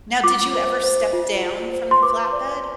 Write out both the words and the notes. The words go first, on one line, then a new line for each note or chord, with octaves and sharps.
Now, did you ever step down from the flatbed?
F4 D6
C5
C5
F4
F4
C5
C6
B4 D6
D5